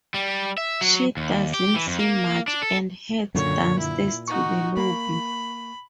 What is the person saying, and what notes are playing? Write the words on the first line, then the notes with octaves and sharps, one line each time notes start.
She doesn't see much and heads downstairs to the lobby.
G3
E5
F#3
D#2
G4
E3
F2
A#3
D4
A4
F#2 A#2 D3 C#5
E4
D#4 F#4 C#6
A#3 B5